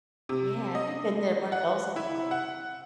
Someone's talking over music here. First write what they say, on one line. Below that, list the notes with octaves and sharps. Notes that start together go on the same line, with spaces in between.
Yeah, I haven't been there in one of those in a while.
C3
D#5
F#5
E4
F#5